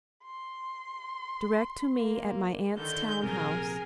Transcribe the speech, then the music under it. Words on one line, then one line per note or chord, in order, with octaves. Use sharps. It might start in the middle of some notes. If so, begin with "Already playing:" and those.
Direct to me at my aunt's town house.
C6
A#3
D3 D#3 G6
A#1 C3 G#4 A#4